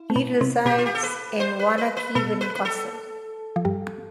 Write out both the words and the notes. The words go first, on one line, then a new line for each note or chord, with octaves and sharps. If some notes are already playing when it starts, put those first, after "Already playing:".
He resides in Waunakee, Wisconsin.
Already playing: E4
A3
B2 B3
C3 C4
B2 B3 G4
F4
G4
A4
B4
C5
B4
B4
B4
B2 B3 A4
B4
B4
A4
F3
G2 G3